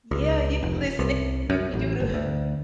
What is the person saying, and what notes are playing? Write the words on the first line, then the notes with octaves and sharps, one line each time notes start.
Yeah, you listen, it ain't for you to
C#2
F1
C2
F#2
A1
G1
D2